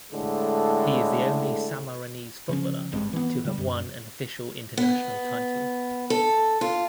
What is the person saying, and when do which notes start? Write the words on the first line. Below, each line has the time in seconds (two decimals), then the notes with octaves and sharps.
He is the only Sammarinese footballer to have won an official international title.
0.12 A2 D3 G#3
2.49 C#3 F3 C#4
2.92 G#1 G2 G#3 C4
3.13 E3 B3
3.45 D3 G3
3.58 F#2
4.77 B3
6.10 A4
6.61 F4